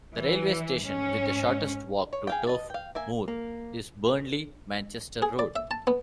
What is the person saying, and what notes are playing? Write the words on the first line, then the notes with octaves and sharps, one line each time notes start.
The railway station with the shortest walk to Turf Moor is Burnley Manchester Road.
E3
G#2 C#4
C#5
G#4 F5 G5
D#5 A5
F5 G5
A#3 E5 G#5
A#3
G#4
D5
E5
A5
B3